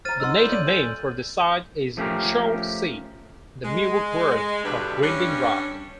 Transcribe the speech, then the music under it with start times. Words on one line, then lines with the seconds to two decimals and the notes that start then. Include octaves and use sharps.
The native name for the site is "Chaw'se", the Miwok word for "grinding rock".
0.05 C5 A#5 F6 A6 D#7
0.20 D#4 F#5 C6 E6
0.37 E4 A4 D5 G6 D#7 F#7
0.52 C#5 D5 D#7
0.67 A4 G#5
1.97 F3 A3 C#4 F#4 G4 A#4
3.64 G#3
4.64 E2 G2 B2 D3 G4 B4
5.01 G2 C#4 D4